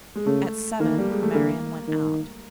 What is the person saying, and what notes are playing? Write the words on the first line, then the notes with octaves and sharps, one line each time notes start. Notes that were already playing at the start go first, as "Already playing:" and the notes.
At seven, Marian went out.
G#3
C#3 A3
D#3 A#3
G3
G#3
A3
D3 A#3
D#3